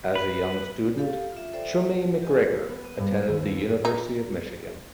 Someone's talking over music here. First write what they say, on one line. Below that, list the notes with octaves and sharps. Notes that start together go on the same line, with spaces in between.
As a young student, Chummy MacGregor attended the University of Michigan.
B4
G4 A4 F5
F4 E5
A4 C5 D5 E5 G5
F#5
G4 D#5 G#5
B3
D#7
G2
D#2
D#4